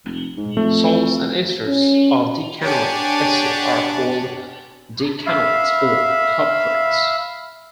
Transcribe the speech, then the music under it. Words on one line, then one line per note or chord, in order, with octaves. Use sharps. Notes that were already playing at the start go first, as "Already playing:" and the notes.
Salts and esters of decanoic acid are called decanoates or "caprates".
F1
G#2
F2 A3
C#4
D4 G4 C#5 D5 F#5 G#5
E5 F5 B5